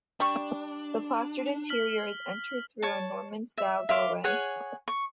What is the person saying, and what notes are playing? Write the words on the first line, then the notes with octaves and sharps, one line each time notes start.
The plastered interior is entered through a Norman style doorway.
G3 D4 C#6
F6 B6 F#7
C#5 A5
E5
E5 F5 C6 D6
G#4 C#5 F#5 G#5
C#6